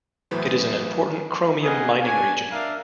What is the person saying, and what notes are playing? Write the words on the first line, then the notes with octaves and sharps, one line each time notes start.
It is an important chromium mining region.
E2 A2 E3 F#3 B4 C5
G3 A#3 G#4 D#5 F#5
D4 C#5 G#5
D4 A#4 E5 F5